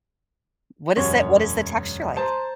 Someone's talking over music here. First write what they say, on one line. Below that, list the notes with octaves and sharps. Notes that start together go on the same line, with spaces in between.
What is tha what is the texture like?
E1 F#2 F#4 C#5 C#6
C5 A5 A#5 C6